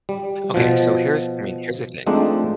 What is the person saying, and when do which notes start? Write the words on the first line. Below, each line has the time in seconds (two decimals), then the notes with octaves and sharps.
Okay. So here's I mean, here's the thing.
0.09 G3
0.54 B2 F3
2.07 F3 G#3 A3 C4 D4 D#4